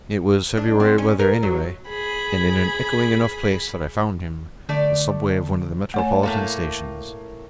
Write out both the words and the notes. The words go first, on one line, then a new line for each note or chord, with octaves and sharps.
It was February weather, anyway, and in an echoing enough place that I found him--the subway of one of the Metropolitan stations.
D4
C4
C#4
A#4
F#3
G#4 B5
D3 A3 D5
A3 C#5 G#5
A2 A#3 A4 F5